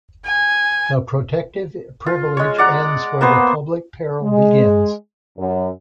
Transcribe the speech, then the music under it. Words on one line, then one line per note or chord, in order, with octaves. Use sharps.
The protective privilege ends where the public peril begins.
G#5
F4
G#3 C#5
D5 F#5 A#5
A#3 B3 C5
G#3
F#2